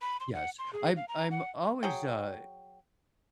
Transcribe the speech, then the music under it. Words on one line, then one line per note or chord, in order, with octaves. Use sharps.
Yes. I'm I'm always, uh,
B5
C6
F#5
C6
G#4
F5
A#5
F#5
F#3 G#4 G5